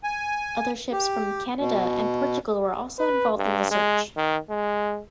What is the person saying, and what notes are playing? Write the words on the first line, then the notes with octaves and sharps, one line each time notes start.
Other ships from Canada and Portugal were also involved in the search.
G#5
G4
B2
B4
G2
G#3
D#3
G#3